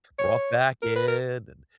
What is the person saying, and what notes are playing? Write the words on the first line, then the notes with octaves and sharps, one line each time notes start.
brought back in, and
C#5
A#4
B4
A#4